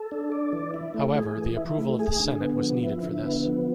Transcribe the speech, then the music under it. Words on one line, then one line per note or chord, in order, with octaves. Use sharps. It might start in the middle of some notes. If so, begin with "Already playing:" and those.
However, the approval of the senate was needed for this.
Already playing: A4
D4
D5
E3
E4
A3
G#4
E3
E4
A3
G#4
D3
B3
F3
E4
D3
B3
F3